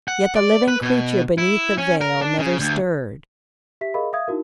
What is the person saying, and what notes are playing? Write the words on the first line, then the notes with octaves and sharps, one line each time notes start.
Yet the living creature beneath the veil never stirred.
F#5
D5
B4
B2
E4
C#4
A#4
D4
C#3
D2
G4 E5 B6
G#4 A#4 D#5 F5 B5
E5 F5 D#6 G#6
D#4 E4 F#4 A#4